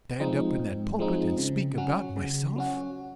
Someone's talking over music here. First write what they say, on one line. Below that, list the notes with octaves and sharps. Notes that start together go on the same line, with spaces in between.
To stand up in that pulpit and speak about myself!
F3 G#3 C4 D#4
G#2
F3 G#3 C4 D#4
C#3
F#3 C#4 F#4
C#3
F#3 C#4 F#4